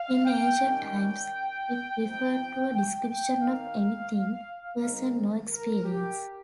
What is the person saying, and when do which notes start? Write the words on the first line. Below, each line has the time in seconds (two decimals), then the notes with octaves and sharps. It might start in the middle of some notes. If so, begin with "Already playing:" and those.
In ancient times, it referred to a description of any thing, person, or experience.
Already playing: F5
0.25 G5
0.61 D#3 G3 C#4 G5
2.00 F3 C4 D#4
2.70 G5
3.05 G5
3.40 D#3 A#3 D#4 F5
4.79 D#3 G#3 C4 D#4 A#4
5.49 A#4
5.84 G4